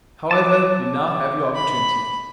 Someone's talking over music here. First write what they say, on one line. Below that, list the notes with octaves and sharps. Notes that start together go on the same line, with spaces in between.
However, you now have your opportunity.'
A5 D6
B5